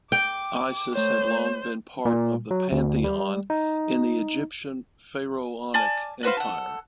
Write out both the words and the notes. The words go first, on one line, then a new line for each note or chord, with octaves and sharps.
Isis had long been part of the pantheon in the Egyptian pharaonic empire.
G5 D6
A3 C5 C#5
A#2
F#3
D2
G3
D#4
D5 G#5 A5 F6
F#4 B4 C5 F5
A4 F#5